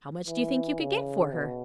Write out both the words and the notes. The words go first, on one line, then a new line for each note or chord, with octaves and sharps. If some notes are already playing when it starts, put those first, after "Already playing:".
"How much do you think you could get for her?"
E3
C#3
B2